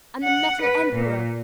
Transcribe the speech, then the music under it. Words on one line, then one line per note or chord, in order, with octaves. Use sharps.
And the Metal Emperor!
F#5
B4
A#2